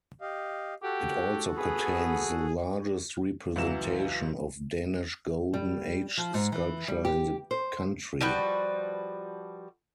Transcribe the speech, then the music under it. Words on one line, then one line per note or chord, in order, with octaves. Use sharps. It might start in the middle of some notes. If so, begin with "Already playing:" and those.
It also contains the largest representation of Danish Golden Age Sculpture in the country.
G4 D#5 F5
F#4 G4 A4 F#5
B3 G#4
C#2 E3 F#3 F#4 E7
G3
F3
G#2
E3
G3
G4
C5
F3 G3 F#4 B4